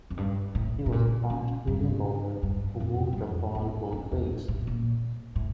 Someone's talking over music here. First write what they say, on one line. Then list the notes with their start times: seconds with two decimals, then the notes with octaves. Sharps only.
He was a fast medium bowler who moved the ball both ways.
0.10 F2
0.17 G2
0.55 A2
0.86 A2
0.92 A#2
1.30 C#3
1.67 G2
2.43 G2
2.80 F2
3.13 G2
3.18 F2
3.55 E2
3.92 F2
4.12 E2
4.48 A2
4.67 A#2
5.36 A2